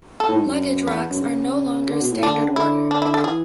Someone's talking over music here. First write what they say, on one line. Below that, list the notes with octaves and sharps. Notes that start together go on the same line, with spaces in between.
Luggage racks are no longer standard order.
A4
A2
G#2
F#2
E2 B3
F#2
C#3
D3
B2
A2
D3 D4
D3
C#3
D3 E4
D4
E4
A4
E3 G#4